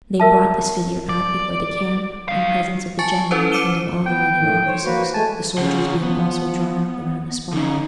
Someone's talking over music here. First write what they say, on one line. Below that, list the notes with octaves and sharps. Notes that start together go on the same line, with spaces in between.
They brought this figure out before the camp, in presence of the general and of all the leading officers, the soldiers being also drawn up around the spot.
A#4 E5 A5
D5
D#4 F5
G#5 A5 C#6 A6 C#7
C#4 E4 A4 B4 C5
C5 D6 C#7 D#7 E7 G7
B3 G5
A2 D#3
C5 C#5
A#3 F#4 B4
G#3 A3 G#5 A5
C#3 F4 C5 F#5
F3 B3
D3 C#4 D#4